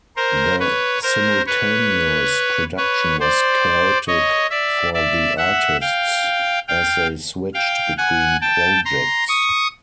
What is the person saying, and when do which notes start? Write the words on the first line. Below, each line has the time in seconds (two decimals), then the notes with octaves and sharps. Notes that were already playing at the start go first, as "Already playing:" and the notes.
The simultaneous production was chaotic for the artists, as they switched between projects.
0.16 A#4 C5
0.59 B4 C#5
1.02 A#4 C5
1.46 B4 C#5
2.77 B4 C#5
3.20 C5 D5
4.07 C#5 D#5
4.50 D5 E5
4.93 D5 E5
5.37 E5 F#5
5.81 F5 G5
6.68 F5 G5
7.54 F5 G5
7.97 F#5 G#5
8.41 G5 A5
8.85 A#5 C6
9.28 C#6 D#6